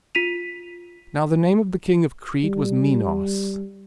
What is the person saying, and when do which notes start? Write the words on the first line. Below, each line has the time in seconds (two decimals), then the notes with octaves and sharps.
Now the name of the King of Crete was Minos.
0.15 F4 B6 D#7 F7
2.44 G3